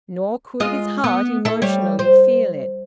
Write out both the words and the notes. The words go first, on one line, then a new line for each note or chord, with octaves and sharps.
Nor could his heart emotionally feel it.
G#3 F4 D#5
B3
E4 A4
G3 C#5
C5